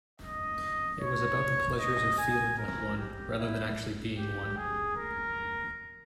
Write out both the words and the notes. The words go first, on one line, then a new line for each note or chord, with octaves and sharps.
It was about the pleasures of feeling like one rather than actually being one.
D#5
C#5
D#5
G#5
A#4
G4
E4
G4
G#4
A#4